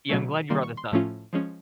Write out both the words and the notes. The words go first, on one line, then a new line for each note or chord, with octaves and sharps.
Yeah, I'm glad you brought this up.
B2 F#3 A3 C#4
D#3 G3 A#3 C6
C#6
C6
A2 F3 A3 C#4 F4
F3 G#3 C#4